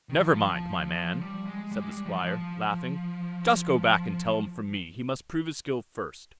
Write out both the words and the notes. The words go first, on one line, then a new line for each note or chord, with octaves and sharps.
'Never mind, my man', said the Squire, laughing; 'just go back and tell him from me, he must prove his skill first.
D#3
F3
G3
G#3
G3
G#3
G3
F3
F3